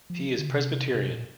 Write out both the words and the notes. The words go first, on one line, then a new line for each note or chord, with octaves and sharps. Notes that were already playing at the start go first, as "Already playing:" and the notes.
He is Presbyterian.
F3
D3
C3
C3
A#2